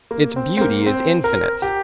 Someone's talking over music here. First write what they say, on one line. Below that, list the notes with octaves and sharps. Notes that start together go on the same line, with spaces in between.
Its beauty is infinite.
A#3
C4
C4
A#3
C4
A#4
G4